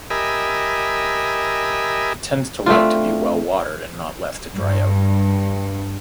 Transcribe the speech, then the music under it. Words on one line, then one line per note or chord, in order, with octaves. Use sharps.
It tends to like to be well watered and not left to dry out.
G4 A#4 D#5 E5 G#5 B5
A3 C4 D4 F4
G2